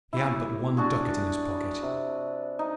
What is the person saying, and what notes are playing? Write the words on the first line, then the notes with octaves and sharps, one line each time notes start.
He had but one ducat in his pocket.
E4 G4
D4 F#4 G#4
C3
D#4